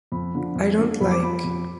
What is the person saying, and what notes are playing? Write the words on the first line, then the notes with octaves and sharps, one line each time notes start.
I don't like...
F2 B5
D3 F3
F2
D3 F3
F2 B5
D6
F3 B5
F2